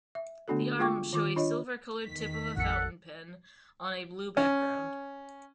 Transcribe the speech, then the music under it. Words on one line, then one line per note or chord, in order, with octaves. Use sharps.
The arms show a silver-colored tip of a fountain pen on a blue background.
E5
D3 A3 B3 D4 F#4 A4
G#3 F4 G#4 G5 C#6 D6
D#3 F4 D6
D4 F4 C#5 D#5
E2 D#3 B6
A1 F2 A4 F#5 C#7
C#4